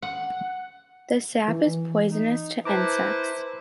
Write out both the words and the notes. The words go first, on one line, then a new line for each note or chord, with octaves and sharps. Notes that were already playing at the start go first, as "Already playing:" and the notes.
The sap is poisonous to insects.
F#5
E3
D#4
E4 B4 C5 A5 A#5 D6